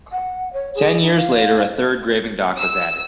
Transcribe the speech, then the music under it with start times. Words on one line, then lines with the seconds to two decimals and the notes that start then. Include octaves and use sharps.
Ten years later, a third graving dock was added.
0.12 F#5
0.53 C#5
0.75 G#4
1.02 D#4
1.17 F5
2.59 E6